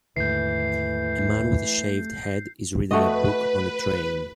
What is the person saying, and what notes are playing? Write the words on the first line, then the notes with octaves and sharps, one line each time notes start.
A man with a shaved head is reading a book on a train.
D#2 G#2 D3 E3 A3 G6 C7
A3 F#4 B4 D#5